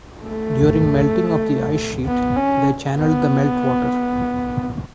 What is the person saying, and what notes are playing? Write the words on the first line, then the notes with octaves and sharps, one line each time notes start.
During melting of the ice sheet they channeled the melt water.
A3
B3
C#4
B3